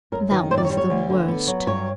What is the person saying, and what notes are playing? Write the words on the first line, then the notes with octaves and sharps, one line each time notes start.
That was the worst!
F#2 A#4
D#3 B4
F#2 C5
D5
C#5
G3
C#5
D2
D3
B3
F#3
G2 C#5